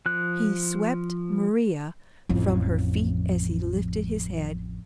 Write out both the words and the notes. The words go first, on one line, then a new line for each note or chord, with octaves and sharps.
He swept Maria from her feet as he lifted his head.
F3 F#6
A1 F2